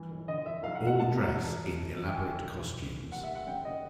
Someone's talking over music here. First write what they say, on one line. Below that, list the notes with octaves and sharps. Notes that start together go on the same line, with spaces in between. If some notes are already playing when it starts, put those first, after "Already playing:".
All dress in elaborate costumes.
Already playing: G1 E3
B1
D3 D#5
F2 E5
B1 F5
F#5
B2
F#5
G2 A5
G1 A#5
E2 A5
E2
E3
E3
D2 G5
G#5
D2 G5
B2
B1
E3
A1
G3 F#5
E5
D#3
F#5
F#2 G5
C#3 D#5